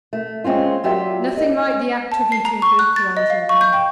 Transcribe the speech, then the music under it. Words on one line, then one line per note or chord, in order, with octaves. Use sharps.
'Nothing like the act of eating for equalising men.
A3
G#3 C4 C#4 F4
F#3 F4 G4 D5 E5
D#5
A5
C7
A#5
C#6
F#6
A6
D#5
F5
C#6
G6
G5